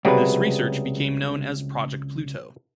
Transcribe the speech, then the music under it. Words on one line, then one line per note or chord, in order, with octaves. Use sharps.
This research became known as "Project Pluto".
C#2 C3 F#3 G3 G#4 B4